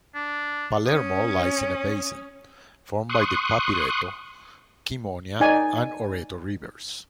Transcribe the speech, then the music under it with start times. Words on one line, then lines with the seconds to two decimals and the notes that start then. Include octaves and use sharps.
Palermo lies in a basin, formed by the Papireto, Kemonia and Oreto rivers.
0.15 D4
0.87 C#4 D#6
3.09 C6 C#6 D#6 F#6
5.40 D#4 D5 G#5